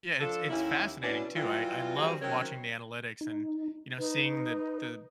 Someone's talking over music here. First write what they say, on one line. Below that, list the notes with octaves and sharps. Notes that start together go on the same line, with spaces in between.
Yeah, it's it's fascinating too, I I love watching the analytics, and, you know, seeing the the
F3 D4 F4 A4
D#2 A#3 C#4 E4
B2 E3 C#4 D4 E4 B4
E3 F#3 G3 F4
F3 G3 C4 F#4 G#4
D#3 F#3 C4 C#4 A#4 C#5
D#4
D#4 B4